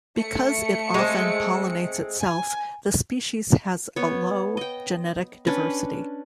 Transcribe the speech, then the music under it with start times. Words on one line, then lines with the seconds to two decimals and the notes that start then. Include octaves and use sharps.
Because it often pollinates itself, the species has a low genetic diversity.
0.16 A3 C#7
0.94 G#3 C4
2.21 G#5
3.96 B3 C#5
4.57 D#5 G5
5.47 C#4 D4 B4